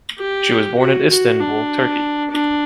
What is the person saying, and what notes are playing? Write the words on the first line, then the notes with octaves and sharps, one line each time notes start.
She was born in Istanbul, Turkey.
G4
F#4
F#4
D4
D4